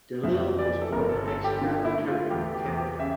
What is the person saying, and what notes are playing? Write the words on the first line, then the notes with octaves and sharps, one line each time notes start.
De Lisle was born in Exeter, Ontario, Canada.
F2 E5
E3 D5
A4
G1 A#4
A4
G1 A4
G4
D3 F4
E4
A3
F4
E2 G4
G4
E2
G4
C#3 E5